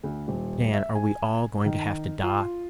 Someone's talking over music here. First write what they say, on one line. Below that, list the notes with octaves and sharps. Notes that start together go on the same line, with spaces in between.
Dan, are we all going to have to die?
D2
D#1
E5
G#5
D#3
F4